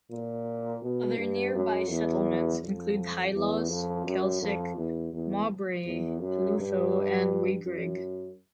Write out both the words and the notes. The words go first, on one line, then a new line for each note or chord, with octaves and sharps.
Other nearby settlements include Highlaws, Kelsick, Mawbray, Pelutho, and Wheyrigg.
A#2
B2
G2
F#2
E2
F2
E2
F2
F#2
F2
E2
E2
E2
F#2
G2
F#2